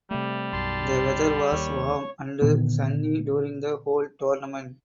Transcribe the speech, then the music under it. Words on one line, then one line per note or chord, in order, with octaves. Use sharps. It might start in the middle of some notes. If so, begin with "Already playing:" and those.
The whether was warm and sunny during the whole tournament.
C3 G3 A3
B1 F#2 A5 C6
D#2 C#5
A#2 D3 D#3 B3